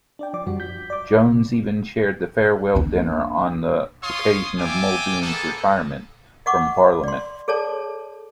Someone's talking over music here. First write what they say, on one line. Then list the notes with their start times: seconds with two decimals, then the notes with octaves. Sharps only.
Jones even chaired the farewell dinner on the occasion of Muldoon's retirement from Parliament.
0.19 D4 D5 G5
0.34 F3 D5 D6
0.46 F#2 F3 G3 F#4
0.60 G6 B6
0.90 D5 D6
1.26 C3
2.75 A#3 D4
4.03 F4 C#5 F5 C6 D#6
4.59 D5 E5 F5 G5 G#5 D6
5.22 A#3 B3 G#4 A4
6.46 D#5 F#5 C#6 D6
7.04 D5 C6
7.48 G#4 A4 C#5 D5 A5